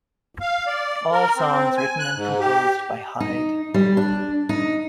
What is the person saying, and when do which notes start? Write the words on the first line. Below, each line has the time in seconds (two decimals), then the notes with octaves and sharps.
All songs written and composed by Hyde.
0.40 F5
0.67 D5
1.12 A#4
1.36 C4
1.78 G#5
1.99 F#6
2.15 G#2
2.40 G4
3.20 D#4
3.74 G3
3.97 D4
4.49 D#4